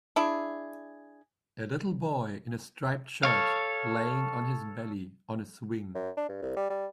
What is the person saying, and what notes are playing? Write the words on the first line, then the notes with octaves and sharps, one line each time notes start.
A little boy in a striped shirt laying on his belly on a swing.
D4 E4 G#4
A4 C#5 F5
F#2
D4
G2
C2
G3
G3